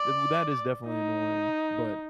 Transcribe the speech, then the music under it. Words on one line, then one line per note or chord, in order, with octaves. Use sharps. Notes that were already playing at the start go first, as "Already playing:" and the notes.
w that is definitely annoying, but
Already playing: D5
D#4